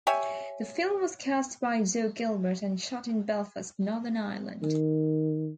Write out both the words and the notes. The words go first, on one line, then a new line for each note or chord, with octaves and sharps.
The film was cast by Jo Gilbert and shot in Belfast, Northern Ireland.
G4 C#5 E5 G#5
D#3